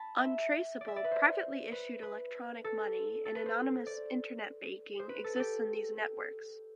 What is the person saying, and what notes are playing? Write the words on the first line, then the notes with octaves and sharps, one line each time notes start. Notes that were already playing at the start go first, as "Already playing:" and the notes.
Untraceable, privately issued electronic money and anonymous Internet banking exists in these networks.
Already playing: A5 B5
E5
D5
E5
D5
B4
C5
B4
B4
A4
A4
B4
C5
D5
C5
B4
A4
G4 A4